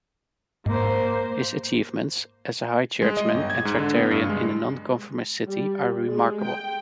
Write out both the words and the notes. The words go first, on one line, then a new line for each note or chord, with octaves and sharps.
His achievements, as a High Churchman and Tractarian in a non-conformist city are remarkable.
G#2 A#3 C5
G#3
D#5
G1
G#6
G#2
D3
B3
G2
G#3
G3
G#3
G5